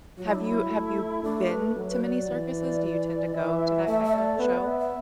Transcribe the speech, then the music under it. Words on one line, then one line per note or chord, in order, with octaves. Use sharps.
Have you have you been to many circuses? Do you tend to go to that type of show?
F#3 F#4
E4
D4
E4
A3
A3 D4
B4
F#3
B4
D5
E3
E3 E5
A3 E5
E5
D5
B3 B4
D5
E5
E5